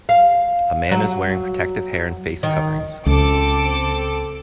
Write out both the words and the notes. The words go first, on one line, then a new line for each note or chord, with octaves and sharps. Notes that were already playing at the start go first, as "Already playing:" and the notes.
A man is wearing protective hair and face coverings.
F5
F#3
D#3
C#2 C4 A4 D6